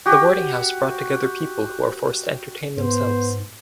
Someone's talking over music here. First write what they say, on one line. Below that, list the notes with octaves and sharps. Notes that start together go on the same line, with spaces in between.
The boarding house brought together people who are forced to entertain themselves.
F#4 G4
G#2 B3 C5